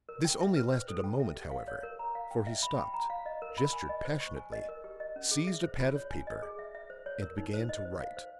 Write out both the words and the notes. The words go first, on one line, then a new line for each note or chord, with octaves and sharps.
This only lasted a moment, however; for he stopped, gestured passionately, seized a pad of paper and began to write.
A#4
G5
E5
B4
C5
A4
G5
E5
G4
F5
C#5
A#4
A#5
F5
G5
E5
B5
G5
A#5
F5
D#5
A#4
B5
G#5
D#5
C5
C#6
G#5
D#5
A#4
G4
D#5
C#4
G#4
E5
C5
F4
C#5
G#5
D#5
G#4
E5
E5
C5
C#5
A#4
D#4
C5
D#5
C5
F5
C5